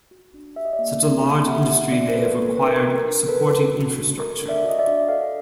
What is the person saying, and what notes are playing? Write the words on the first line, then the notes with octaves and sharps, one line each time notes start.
Such a large industry may have required supporting infrastructure.
F#4
D4
G4 E5
D#5
D5 E5
A#3
D4
A#3
G4 E5 F#5
A#3 E5 F#5
D4 D5 E5
C5
A#3 A4 B4
A4 A#4
D4 B4
A#4
F#4
A#4
D4
A4 B4
D4
F#4
D4
A4 A#4
D4
D5 E5
F#4 D#5
D5 E5
D4
A4 D#5 F5